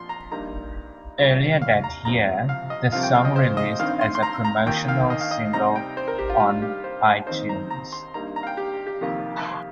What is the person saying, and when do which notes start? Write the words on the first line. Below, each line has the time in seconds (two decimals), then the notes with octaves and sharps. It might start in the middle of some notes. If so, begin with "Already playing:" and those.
Earlier that year, the song released as a promotional single on iTunes.
Already playing: A#2 F3 C6
0.09 A#5
0.31 G2 G3 A#3 D#4 A#5
1.18 C2 A#2 G3
1.62 F5
1.84 A#5
2.05 C2 C3 F3 C4 A#5
2.49 F5
2.70 D#5
2.92 C2 C3 F3 C4 F4 F5
3.03 G5
3.14 F5
3.25 D#5
3.36 C5
3.57 D#5
3.79 G2 D#3 C4 F5
4.01 C6
4.15 C6
4.23 A#5
4.44 A#5
4.66 D#2 D#3 A#3 F4 G5
4.88 F5
5.10 D#5
5.21 F5
5.31 D#5
5.53 C3 G3 C4 D#4 A#5
5.76 G5
5.97 C5
6.08 A#4
6.19 G4
6.30 F4
6.40 G2 G3 D#4 F4
6.62 G4
6.84 C5
7.27 D#2 D#3 C4 D#4 C5
7.49 A#5
7.70 A#5
7.92 C6
8.14 G2 G3 A#3 D#4 A#5
8.36 A#5
8.43 F5
8.47 G5
8.57 G4
8.87 G4
9.01 F2 C3 D#3 A#3 F4